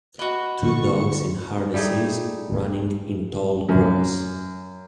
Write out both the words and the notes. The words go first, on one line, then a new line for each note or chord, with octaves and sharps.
Two dogs in harnesses running in tall grass.
F#4 B4 D#5
D2 G2 A4 C#6
G3 A3 D#4 G#4
F#2